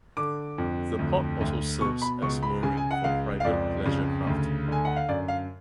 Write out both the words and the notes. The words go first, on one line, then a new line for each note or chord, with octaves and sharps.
The port also serves as mooring for private pleasure craft.
D3 D6
F2
D2
D2
B2 C#6
B5
C#2 C#6
B5
C#3 G#5
G#5
F#5
C#2 F5
F5
F2 D5
C#3
D2
D3 G#5
F#5
F5
F#2 D5
F5